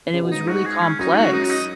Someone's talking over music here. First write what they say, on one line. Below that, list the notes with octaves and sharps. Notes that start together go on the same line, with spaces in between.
and it was really complex.
C#3
B2
G#2 D#4
F#4
G#4
C#4
F#2 D#4
G#2 F#4
F#2
D#4
D#5